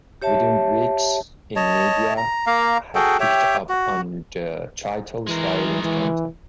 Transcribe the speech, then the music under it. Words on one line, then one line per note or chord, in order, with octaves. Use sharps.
Within weeks the media had picked up on the title's violent content.
G4 C#5 E5 A5
C#5 D#5 A5
A#5
A#3 F5 A#5
F#4 G#4 A4 G5
G4 C#5 E5 G5
F#4
E3 G#3 A#4
E3